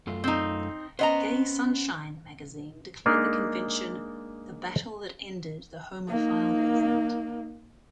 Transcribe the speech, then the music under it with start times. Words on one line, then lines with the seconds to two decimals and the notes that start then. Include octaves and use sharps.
"Gay Sunshine" magazine declared the convention "the battle that ended the homophile movement".
0.07 F#2 A3 F4
0.24 C4 D#4
0.99 B3 C#4 C5 D#5 A#5
3.06 G#3 A#3 D4 D#4
6.08 A#3 D#4